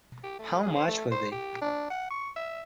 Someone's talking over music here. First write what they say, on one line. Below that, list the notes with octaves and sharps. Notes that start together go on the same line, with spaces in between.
How much was it.
G4
A3
G#4
C5
A3
C5
G4
D4
F#5
C#6
E5